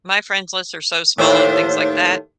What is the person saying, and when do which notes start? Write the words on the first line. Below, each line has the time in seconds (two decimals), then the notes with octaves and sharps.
My friends lists are so small on things like that,
1.18 D#2 A2 C5